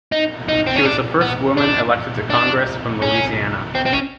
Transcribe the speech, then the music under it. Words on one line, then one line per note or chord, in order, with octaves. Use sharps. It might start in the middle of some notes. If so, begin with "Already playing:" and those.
She was the first woman elected to Congress from Louisiana.
D#4
D#4
C4
C#4
D4
B3
D4
D4
C#4
C4
C4
C#4